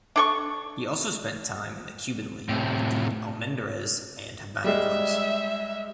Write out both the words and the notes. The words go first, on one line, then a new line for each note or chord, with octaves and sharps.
He also spent time in the Cuban League with the Almendares and Habana clubs.
D4 A4 C#6
A2 C3
G3 G#3 E5